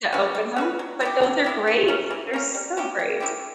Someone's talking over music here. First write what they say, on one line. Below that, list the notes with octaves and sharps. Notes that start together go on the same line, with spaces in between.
to open them? But those are great, they're so great.
C#4 F#4 B4
G3
C#4 F#4 B4
F#3
B3 E4 G4
F#3
B3 E4 G4
E3
A#3 C#4
E3
A#3 C#4
G3
C#4 E4 G4
G3
C#4 E4 G4